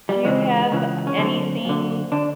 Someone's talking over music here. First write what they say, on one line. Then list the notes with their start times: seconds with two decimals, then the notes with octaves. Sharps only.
Do you have, uh, anything,
0.09 G3
0.25 C#2 C#3 E3 G#3
0.71 C#2 C#3 E3
1.07 C#4
1.18 F#2 D3 C4
1.65 F#2 D3
2.12 D3 D4